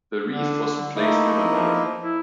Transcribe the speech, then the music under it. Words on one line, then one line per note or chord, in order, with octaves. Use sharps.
The reeve was replaced with a mayor.
D3
A3 A#3 D#4 E4
F3
E4